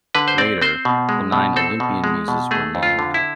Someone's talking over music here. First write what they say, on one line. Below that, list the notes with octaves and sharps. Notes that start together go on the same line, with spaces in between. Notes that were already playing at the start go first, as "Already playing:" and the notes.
Later, the Nine Olympian Muses were named.
D3 B4
C5
C4 D5
C4 C5
B2
G#3
B2
C4 A4
B2
G#3
B2
A3 G#4
F2
F4
D3
E4